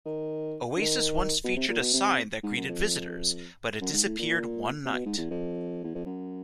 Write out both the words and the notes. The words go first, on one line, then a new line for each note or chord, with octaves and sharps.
Oasis once featured a sign that greeted visitors but it disappeared one night.
D#3
D3
D#3
B2
C3
A#2
B2
C3
G#2
F#2
F2
F#2
G#2
A2
A#2
C3
B2
G#2
E2
F2
E2
F2
F#2